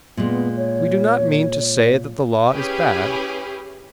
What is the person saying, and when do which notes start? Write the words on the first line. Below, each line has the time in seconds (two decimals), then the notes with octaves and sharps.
We do not mean to say that the Law is bad.
0.17 A#2 G#3 B3
0.57 C#5
2.51 C#4 E4 G4 G#4 B4